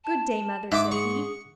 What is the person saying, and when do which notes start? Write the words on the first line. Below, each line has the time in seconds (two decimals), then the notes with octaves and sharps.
'Good day, mother,' said he.
0.04 A5
0.72 G#2 E5 D6
0.91 G#4 C#6